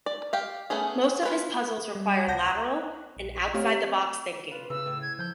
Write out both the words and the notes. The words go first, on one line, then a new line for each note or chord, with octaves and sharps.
Most of his puzzles require lateral and "outside the box" thinking.
D5
G4 F5
A3 B3 C#4 G#4
F4 B4
G3
C#2 C3 F#5 A5 G6 A#6
F#6
A#1
A3 C4 G4 C#5 F5
F4 B4
C#3 E3 E6
A2
G#6
F3 G6